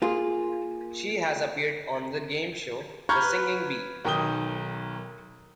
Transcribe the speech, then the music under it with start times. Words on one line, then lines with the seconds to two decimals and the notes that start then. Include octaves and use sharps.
She has appeared on the game show "The Singing Bee".
0.02 A#3 F4 G#4
3.09 A#5 B5 C#6 F6 G6 G#6
3.22 B4
4.05 B1 D#3 G5 D#6 G7